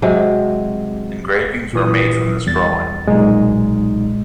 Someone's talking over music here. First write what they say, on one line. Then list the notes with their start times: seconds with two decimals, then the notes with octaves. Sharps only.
Engravings were made from this drawing.
0.02 C3 F#3 G#3
1.73 A#2 E3 D#6
2.47 E2 G3 A6
3.08 B1 A#2 G#3 D#4